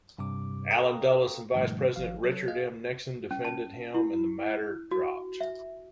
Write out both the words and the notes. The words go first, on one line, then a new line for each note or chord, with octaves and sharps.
Allen Dulles and Vice President Richard M. Nixon defended him, and the matter dropped.
G2 C3 G3 D6
A4 F5 G5 A#5 D#6
G#2 B2 D#3 F3 G3 A3
G#1 F3 F5
F#3 A4 C#5
G#4 D#5 F5
C#4
A5
E4
F#4
E5